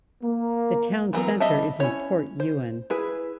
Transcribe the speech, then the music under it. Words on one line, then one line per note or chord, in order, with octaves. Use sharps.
The town center is in Port Ewen.
A#3
E3 F#3 B3 A#4
G3 D#5 E5 A5
C#4 E4 C#5
C5
E4 G#4 B4